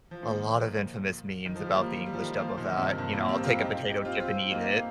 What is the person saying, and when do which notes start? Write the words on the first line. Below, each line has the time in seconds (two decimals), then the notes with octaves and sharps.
a lot of infamous memes about the English dub of that. You know, I'll take a potato chip and eat it.
0.11 F3
0.23 A#2 D#3
1.45 D#3
1.56 F3
1.66 G3
1.75 F3 A#3
2.06 G3
2.13 F3
2.20 D#3 G3
2.37 F3 A#3
2.57 A#2 D#3
2.69 D#3
2.78 G2 C3
2.98 G2
3.13 F3 A#3
3.29 G3 C4
3.43 C4 F4
3.59 D#4 G4
3.89 D#4 G4
4.05 C4 F4
4.20 C4 F4
4.51 A#3 D#4